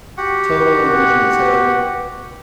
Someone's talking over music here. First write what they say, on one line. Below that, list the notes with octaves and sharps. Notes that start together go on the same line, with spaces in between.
Total immersion so,
F#4 G4 F#5